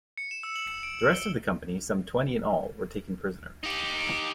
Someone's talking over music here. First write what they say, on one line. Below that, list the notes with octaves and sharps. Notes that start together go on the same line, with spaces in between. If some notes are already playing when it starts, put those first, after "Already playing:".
The rest of the company, some twenty in all, were taken prisoner.
C#7
E7
E6
F#7
C#7
D7
F#7
G7
D#4 G4